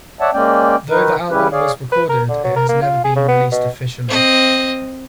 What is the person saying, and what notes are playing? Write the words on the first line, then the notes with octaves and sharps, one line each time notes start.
Though the album was recorded, it has never been released officially.
C#5 D5 E5 F#5 A5
G#3 A#3 C#4 D5 G5
D#3 D#4 A#4 B4
C#3 G3 C#4 E4 G4 B4
G#4 C#5 D5 F5
B4
A#4
D3
F#3
A#4
A#3
F4
G#4
C#3
B3
B2
C4 D#5